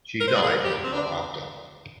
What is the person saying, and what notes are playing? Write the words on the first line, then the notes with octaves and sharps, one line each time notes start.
She died not long after.
A#4
C5
D5
G#4
A#4
G4
C4
D4